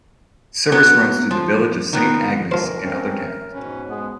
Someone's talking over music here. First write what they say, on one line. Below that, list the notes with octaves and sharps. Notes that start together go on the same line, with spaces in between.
Service runs through the village of Saint Agnes and other towns.
F#3 B3
F3
D#3 B3
D2 B2 E3 F3 A#4 C5
A3 C4 C#4
G#2 B2 C#4 B4
G#3 B3